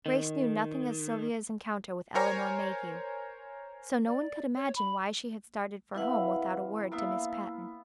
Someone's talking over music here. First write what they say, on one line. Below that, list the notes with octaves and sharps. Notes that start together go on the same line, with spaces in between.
Grace knew nothing of Sylvia's encounter with Elinor Mayhew, so no one could imagine why she had started for home without a word to Miss Patten.
D#3
A#4 C5 C#5 G#5 A#5
D5
C#5
B5
C3 E3 E4 B4 F5 F#5
A#3 B3 E4 E5 F5